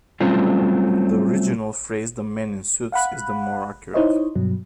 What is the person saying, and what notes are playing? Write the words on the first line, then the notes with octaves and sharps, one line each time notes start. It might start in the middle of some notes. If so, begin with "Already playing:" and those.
The original phrase 'the men in suits' is the more accurate.
F#3 G3 A3 C4 C#4 F4
F5 F#5 B5 F#6
D#4 E4 C5 C#5 D#5
G2 B2 F#3